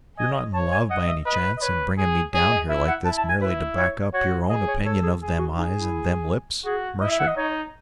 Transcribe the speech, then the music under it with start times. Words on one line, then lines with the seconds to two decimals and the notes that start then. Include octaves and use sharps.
"You're not in love, by any chance, and bringing me down here like this merely to back up your own opinion of them eyes and them lips, Mercer?"
0.18 D#5 G#5
0.54 C#5 A5
0.72 G#5
0.90 D#5 F#5
1.08 E5
1.26 B4 D#5
1.57 D#5
1.61 B4 C#5
1.98 G#4
2.34 G#4 C#5
2.51 D#5
2.69 E4 E5
2.88 F#5
3.05 E4 A5
3.17 A5
3.29 G#5
3.41 E4 B4
3.77 C#5
4.13 F#4 C#5
4.49 G#4 D#5
4.68 C#5
4.85 A4 C#5
5.03 G#4
5.22 G#4
5.39 F#4
5.57 D#4 G#4
5.75 E4
6.65 F#4 G#4
7.01 E4 D#5
7.11 E5
7.20 F#5
7.27 D#5
7.36 D#4 C#5